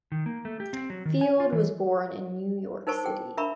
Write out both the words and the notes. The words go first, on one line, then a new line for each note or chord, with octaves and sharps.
Field was born in New York City.
D#3
A#3
A3
G4
C4
F#3
D#3
G#5
F4
E3
D#4 A#4 C5 A5 C#6
G#4 G5
D4 A#4 E5 A#5 B5 C#6